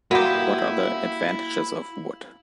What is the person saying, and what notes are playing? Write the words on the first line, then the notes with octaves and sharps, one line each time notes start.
What are the advantages of wood?
A#3 B3 E4 F#4 G4